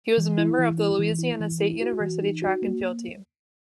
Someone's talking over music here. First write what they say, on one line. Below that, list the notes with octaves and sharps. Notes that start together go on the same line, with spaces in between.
He was a member of the Louisiana State University track and field team.
E3
E4
E3
E4
E3
E4
E3
E4
F#4
E3
D#4
F#4
A#3